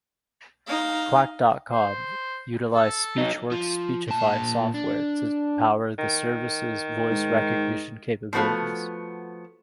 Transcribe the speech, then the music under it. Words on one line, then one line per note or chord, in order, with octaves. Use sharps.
Quack dot com utilized SpeechWorks' Speechify software to power the service's voice recognition capabilities.
D#4 F5
C5
A4
F#3 D#4
F3
A#2 A5
D4
D#3
G#2
F3 A3 B3 F#4 F5